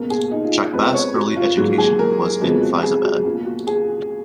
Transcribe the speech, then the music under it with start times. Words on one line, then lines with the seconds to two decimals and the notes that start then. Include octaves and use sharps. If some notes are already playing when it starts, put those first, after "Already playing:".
Chakbast's early education was in Faizabad.
Already playing: C#2 B2 A#3 A#4
0.10 G#4
0.31 D#4
0.45 F4
0.73 F2 F3 G#3 B3 B4
0.94 C#5
1.15 F#4
1.36 F4
1.57 G#2 F#3 A#3 F#4
1.78 G#4
1.99 A#4
2.41 F2 C#3 F3 G#3 B3 F#4
2.61 F#4
2.83 G#4
3.03 F#4
3.24 C#2 B2 A#3 F4
3.45 F#4
3.67 G#4